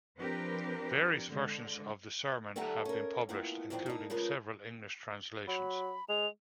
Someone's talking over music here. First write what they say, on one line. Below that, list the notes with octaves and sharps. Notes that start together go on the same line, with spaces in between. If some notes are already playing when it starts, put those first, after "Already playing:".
Various versions of the sermon have been published, including several English translations.
F3 C4 D4 G4 A#4 B4
D3 G#3
D#3 G3 A4 E5 F#5 A#5
C#4 A#4
F2 G#3 A#3 B3 E4 F#5
F2 G#2 D#3 A3 C4 D4
A#3 D#4
C#3 F3 G#3 A#4 B4
F#3 B5
G#3 F7